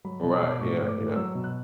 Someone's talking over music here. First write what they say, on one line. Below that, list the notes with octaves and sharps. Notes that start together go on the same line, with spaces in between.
Right, yeah, yeah.
F#3 B5
B2
A5
B2
D6
A2 C#6
A2
D6
A2
F#3 E6
B2
F#6